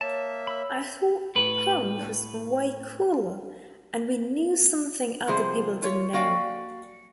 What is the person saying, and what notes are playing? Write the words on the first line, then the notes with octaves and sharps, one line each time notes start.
I thought punk was way cooler and we knew something other people didn't know.
A#3 C#5 E5 A5
B5 E6
A2 B4
C3 F3 G3 G#4 C5
F4 C#5
A#3 F#4 D5 F5 G5 G#5